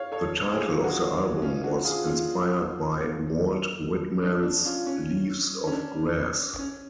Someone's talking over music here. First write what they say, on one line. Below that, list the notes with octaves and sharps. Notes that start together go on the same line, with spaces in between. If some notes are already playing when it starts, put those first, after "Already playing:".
The title of the album was inspired by Walt Whitman's "Leaves of Grass".
Already playing: C#5 F5
A4 C#5
F4 G#4
D4 F#4
D4
C#4 F4
D4 F#4
F4 G#4
C#4 F4
D4
D4
C#4 F4
C#4
C#4
D4
C#4